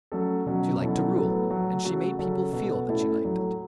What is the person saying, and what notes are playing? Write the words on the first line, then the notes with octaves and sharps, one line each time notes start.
She liked to rule, and she made people feel that she liked it.
F#3 A3 C#4 A4
B2 F#3 C#4
B2 F#3 C#4 E4 A4
A2 F#3 B3 A4
F#3 A3 F#4 A4
C#3 A3 F#4 A4
C#3 F#3 C#4 A4
B2 B3 F#4 A4
A2 A3 C#4 E4 A4
A2 F#3 A3